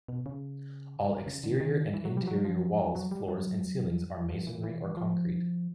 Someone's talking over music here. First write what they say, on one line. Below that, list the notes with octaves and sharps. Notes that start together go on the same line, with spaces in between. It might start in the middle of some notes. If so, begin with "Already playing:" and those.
All exterior and interior walls, floors and ceilings are masonry or concrete.
B2
C#3
C#3
D3
D#3
E3
F#3
G3
F3
F#3
F3
F#3
G3
F#3
F3
E3
E3
F3